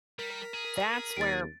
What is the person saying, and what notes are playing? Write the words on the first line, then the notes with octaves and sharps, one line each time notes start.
that's where
G3 A#4 B6
G#4
D#2 A6 D7